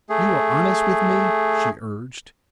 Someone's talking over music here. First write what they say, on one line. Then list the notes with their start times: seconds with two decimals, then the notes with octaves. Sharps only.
"You are honest with me?" she urged.
0.10 A3 G#4